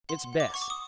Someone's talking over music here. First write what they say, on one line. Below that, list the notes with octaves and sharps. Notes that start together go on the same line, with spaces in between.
It's best.
F#5 C6
F#5
D6
F#5 C#6
D6
D#6